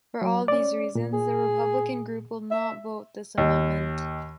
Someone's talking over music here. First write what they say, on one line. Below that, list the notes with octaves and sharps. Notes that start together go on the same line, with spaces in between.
For all these reasons, the Republican group will not vote this amendment.
F#3
C#4 D5
A#2
G#4
E5
D#2